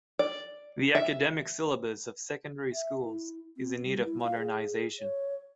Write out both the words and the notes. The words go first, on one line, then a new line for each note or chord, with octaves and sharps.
The academic syllabus of secondary schools is in need of modernization.
D5
E5
E5
E4
C4
G3
E4
F5
G#4
C#5